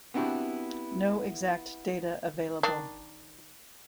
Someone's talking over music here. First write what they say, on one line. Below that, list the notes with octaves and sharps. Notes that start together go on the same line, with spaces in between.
No exact data available.
B3 C4 D4 E4 F#4 G4
D#3 D4